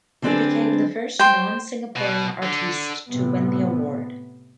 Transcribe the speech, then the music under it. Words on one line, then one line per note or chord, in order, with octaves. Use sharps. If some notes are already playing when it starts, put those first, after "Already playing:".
He became the first non-Singaporean artiste to win the award.
D3 G3 C4 D4 G#4 B4
C5 G5
B2
D3
A2 C3 B3